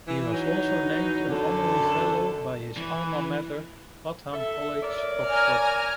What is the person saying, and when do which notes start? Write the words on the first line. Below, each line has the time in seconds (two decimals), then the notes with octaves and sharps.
He was also named an honorary fellow by his alma mater, Wadham College, Oxford.
0.08 E3
0.33 E3 F#3 D#4
1.30 F#2 D3 A4
2.77 E3
4.34 A4 E5
4.83 A#4 C#5 D5
5.25 G#5 A#5 F6